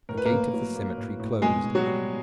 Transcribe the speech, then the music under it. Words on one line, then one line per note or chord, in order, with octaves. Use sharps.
The gate of the cemetery closed.
A2 A#4
B4
A#3 A#4
A2
F#3
A#3
A2
A2
B2 G#3 G#4
B2
F#3 F#4
G3